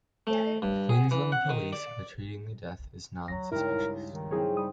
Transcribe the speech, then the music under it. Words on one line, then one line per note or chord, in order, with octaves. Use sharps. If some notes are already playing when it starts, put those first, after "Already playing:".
Queensland Police are treating the death as non-suspicious.
A3
G2
G#4
E3
F#5
D#3
D5
D2 F#3 A#6
C#2 G2 D#4 E4 A#4
D#3
F#3 C4 D#4 E4 G#4 C#5 F6
G3 D#6